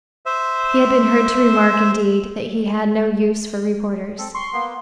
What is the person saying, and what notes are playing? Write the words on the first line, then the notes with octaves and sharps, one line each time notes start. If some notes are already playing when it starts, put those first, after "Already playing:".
He had been heard to remark, indeed, that he had no use for reporters.
C5 E5
C4 A4
C6 C#6
A#3 B3